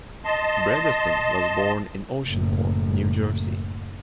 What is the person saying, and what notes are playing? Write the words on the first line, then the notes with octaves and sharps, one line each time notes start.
Bredesen was born in Oceanport, New Jersey.
D#5 A5 C6
F#1 A2